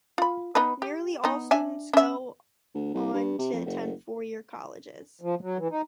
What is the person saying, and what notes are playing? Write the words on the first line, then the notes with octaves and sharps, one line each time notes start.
Nearly all students go on to attend four-year colleges.
F4 B5
B3 D#4 B4
G4
B3 D#4
D4 E5 G#5
C#4 E5
D2
C2
G2
C3
F2
F#1
F3
F#3
E3
D#4